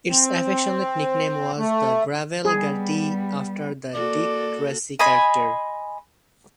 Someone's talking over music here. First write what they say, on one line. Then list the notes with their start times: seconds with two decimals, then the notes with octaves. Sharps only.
Its affectionate nickname was "The Gravel Gertie" after the Dick Tracy character.
0.10 C4
1.58 A3
2.45 G3 B3 G#4
3.94 A#3 F#4 A4 D5
4.99 D#5 G#5 B5 C6